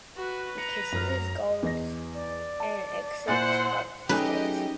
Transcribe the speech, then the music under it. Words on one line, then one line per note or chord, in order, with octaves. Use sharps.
He kisses his gold and exits up the stairs.
F#4 B4
A#5 C#7
F#2 F6
E2 D#5 A#6
D5
A5
A#2 E4 C5 F#5 G#5 A6
F#3 A3 C#4 D#4 G4 G#4 B4 D#5